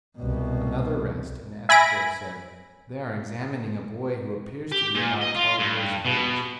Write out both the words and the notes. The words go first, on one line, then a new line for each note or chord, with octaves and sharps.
Another rest, and Estra said: "They are examining a boy who appears to be about twelve years of age."
C2 B2
E5 G#5 B5 A#6 D7
G4
A#2
D#5
F4
G2
B2